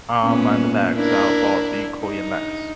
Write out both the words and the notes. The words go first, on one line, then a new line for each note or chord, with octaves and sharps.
Arm and legs are about equal in length.
A#2 B3 C#4
D4 E4 A#4
D#4